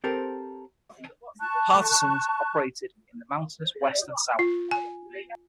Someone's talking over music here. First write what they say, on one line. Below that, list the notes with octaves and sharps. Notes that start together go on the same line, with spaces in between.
Partisans operated in the mountainous west and south.
C4 G4 A4 A#4 C5
A5 C#6 F#6
F4
G#5